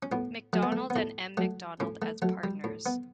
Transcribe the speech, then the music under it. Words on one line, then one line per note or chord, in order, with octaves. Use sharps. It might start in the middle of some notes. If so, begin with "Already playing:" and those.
McDonald and M. McDonald as partners.
C#4
A2 B3
F#3 A3
B3
A3
B3
A2 A3
F#3 A3
A2 C#4
A3
F#3 A3
G3
A2
B3